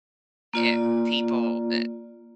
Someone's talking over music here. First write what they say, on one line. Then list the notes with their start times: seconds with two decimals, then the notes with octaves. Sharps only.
eh, people, eh
0.54 A#3 F4 D5